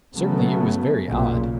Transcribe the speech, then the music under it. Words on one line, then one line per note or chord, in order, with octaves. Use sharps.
Certainly it was very odd.
C#3 F#3 A3 B3
B1 A#2 C#3